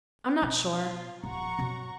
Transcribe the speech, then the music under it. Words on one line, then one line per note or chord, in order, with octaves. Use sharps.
I'm not sure.
B2
F4
D#1 F3 F#5 A#5 C#6
F#2 B2